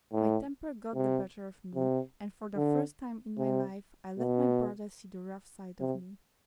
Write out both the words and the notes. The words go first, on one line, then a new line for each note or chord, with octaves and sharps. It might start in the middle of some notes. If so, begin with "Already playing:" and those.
My temper got the better of me, and for the first time in my life I let my brother see the rough side of me.
A2
C3
C3
D3
C3
B2
C3